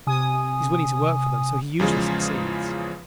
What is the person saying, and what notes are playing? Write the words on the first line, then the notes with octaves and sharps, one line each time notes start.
He is willing to work for them, so he usually succeeds.
C3 G#5 D#6
E2 C#3 F3 G#3